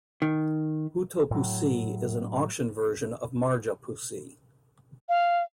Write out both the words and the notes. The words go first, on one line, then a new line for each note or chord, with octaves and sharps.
Huutopussi is an auction version of Marjapussi.
D#3
A2 F#3
F5